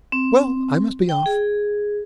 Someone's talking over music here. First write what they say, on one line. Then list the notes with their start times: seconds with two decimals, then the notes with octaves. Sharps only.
Well, I must be off.
0.12 C4
1.09 G5
1.26 G#4